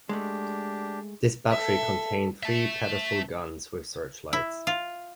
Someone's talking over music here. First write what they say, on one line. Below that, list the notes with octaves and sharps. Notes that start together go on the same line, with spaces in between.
This battery contained three pedestal guns with searchlights.
G#3 A3 D4 G4
A4 E5
E5 A5
E4
F4